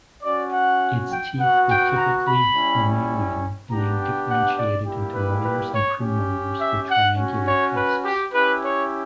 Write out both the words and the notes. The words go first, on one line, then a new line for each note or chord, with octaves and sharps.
Its teeth were typically mammalian, being differentiated into molars and premolars with triangular cusps.
C#4 F#4 D5
F#5
G5
B3 F#4 F#5
G5
A#5
B5
G3 C#4 E4
B3 D4 G4 A#5
G5
F#5
D5
G3 A#3 E4 G4
B4
B4
C#5
C#4 G4
E5
F#5
C#4 F#4
C#5
B4
G4
C#4 E4 G4 B4
C#5